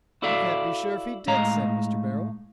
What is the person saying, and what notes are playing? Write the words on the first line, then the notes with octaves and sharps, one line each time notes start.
"You can't be sure if he did sin, Mr. Beryl."
E4 F#4 A4 D5 E5 F5
A2 G#3 D#5 F5 A#5